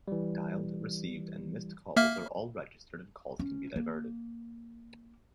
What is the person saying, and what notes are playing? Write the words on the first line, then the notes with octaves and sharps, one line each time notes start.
Dialed, received and missed calls are all registered and calls can be diverted.
E3 G3
A#3 E5 F6
C#4
A#3